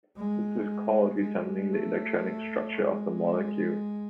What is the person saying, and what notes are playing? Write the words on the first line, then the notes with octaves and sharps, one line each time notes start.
This is called determining the electronic structure of the molecule.
G#3
G#3
A3
G#3